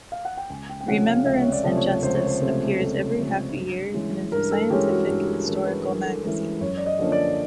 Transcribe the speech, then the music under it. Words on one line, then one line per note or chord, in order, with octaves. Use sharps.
"Remembrance and Justice" appears every half a year and is a scientific historical magazine.
F5
F#5
G5
C#2 G#5
G5
G5
C3 F3 A3 C#4 F#5
F5
C#2 E5
C#5
D5
C3 F3 A3 C#4
C#5
C#2 C5
C#5
C5
C3 F3 A3 C#4 C5
C#2 A4
C3 F3 A3 C#4
G2
E3 G#3 C#4
G2 A#4
A4
E3 G#3 C#4 G4
F#4
G2 G4
G4
G#4
E3 G#3 C#4 A#4
B4
G2 A#4
A4
E3 G#3 C#4 A#4
F#2 C#5
D5
D#5
D3 F3 A#3 C#4
D5